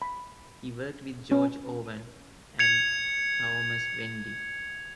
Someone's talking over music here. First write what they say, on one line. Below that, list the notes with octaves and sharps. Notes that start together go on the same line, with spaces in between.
He worked with George Owen and Thomas Wendy.
B5
C#4
G#6 C#7 F7